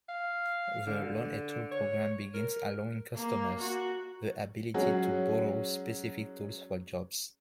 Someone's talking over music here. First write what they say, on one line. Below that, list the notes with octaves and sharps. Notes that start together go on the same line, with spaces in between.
The Loan-A-Tool program begins allowing customers the ability to borrow specific tools for jobs.
F5
D3
C#5
A#4
A#3
F#4
F#3 G#3 C#4 F#4 G#4